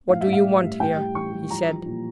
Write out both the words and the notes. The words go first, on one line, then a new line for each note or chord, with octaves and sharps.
"What do you want here?" he said.
A2 F5
E5
A2
F5
G3
A2
A2 G5
G3
E3 C#6
G3
F3 A#5
F3
A#2